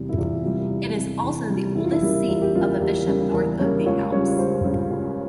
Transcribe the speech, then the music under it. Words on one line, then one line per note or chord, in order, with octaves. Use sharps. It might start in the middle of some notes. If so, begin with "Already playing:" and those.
It is also the oldest seat of a bishop north of the Alps.
Already playing: E2 C3 G3
E4
E2 F4
C3 G3 F4
E2
C3 G3
E2
C3 G3
E2 E4
F4
E4
C#3 G3 A#3
E2 F4
G4
C#3 G3 A#3 F4
E2 G4
C#3 G3 A#3
E2 A#4
C#3 G3 A#3 C#5
C#2 C#5
C#3 G3 C#5
C#5
C#2 C5
C#3 G3
C#2